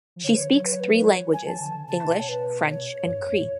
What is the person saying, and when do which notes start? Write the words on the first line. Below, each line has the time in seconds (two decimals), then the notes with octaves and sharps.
She speaks three languages: English, French, and Cree.
0.16 F3
0.24 D3 C#5
0.32 B4
0.37 D3 C#5
0.51 F#3 C#5
0.64 B4
0.72 C#5
0.80 B4
0.94 B4
1.06 C#5
1.33 G#5
1.47 F3 A5
1.60 D3
1.74 D3
1.88 C#3 A5
2.08 B2
2.20 C#5
2.29 B4
2.70 C#5
3.05 F#2
3.11 G#2
3.26 F2
3.39 A2